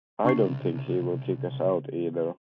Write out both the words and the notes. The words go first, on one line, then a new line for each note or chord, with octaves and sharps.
I don't think he will kick us out, either.
C2 C#3 D4 C#6 C7